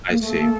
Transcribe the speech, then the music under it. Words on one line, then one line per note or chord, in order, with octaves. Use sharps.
I see.
A#3
A3 A4
A#3